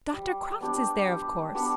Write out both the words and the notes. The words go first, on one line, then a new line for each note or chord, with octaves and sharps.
Dr. Crofts is there, of course.
G3
B3 D4 G4
G3
B3 D4 G4